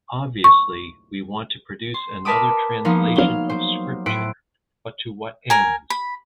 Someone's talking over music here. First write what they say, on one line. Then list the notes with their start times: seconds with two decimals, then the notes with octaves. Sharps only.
Obviously we want to produce another translation of Scripture – but to what ends?
0.44 C#6
1.94 C6
2.25 A#4 B4 A5 B5 D6 D#6
2.85 F3 A#3 B3 D#4 F4
3.16 F#3 F5
3.49 C5
4.06 A2 E4 C5 F#6 D7
5.50 A#4 G#5
5.90 B5